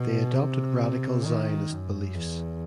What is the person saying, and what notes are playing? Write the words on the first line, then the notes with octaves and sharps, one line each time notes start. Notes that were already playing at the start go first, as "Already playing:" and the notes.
They adopted radical Zionist beliefs.
Already playing: B2
C3
D#3
F#2
E2